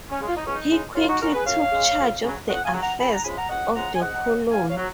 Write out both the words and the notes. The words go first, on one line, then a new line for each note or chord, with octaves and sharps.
He quickly took charge of the affairs of the colony.
C#4
C#3 G#3
F4
D#4
C#2 C#4
D#4
C#3 G#3
F#2 C#4 F4
D#4 F#4
C#3 G#3 F#4 A#4
G#4 B4
F#2 C#5 F5
C#3 G#3
F2
C#3 F#3
F2 D#5 F#5
F5 G#5
C#3 F#3
F#5 A#5
C#2 G#5 B5
F#5 A#5
C#3 F3 G#3 G#5 B5
F#5 A#5
C#2 D#5 F#5
C#3 F3 G#3 F#5 A#5
G#5
G#2 D#5 F#5
F#3
G#2 F5 G#5
C#5 F5
F#3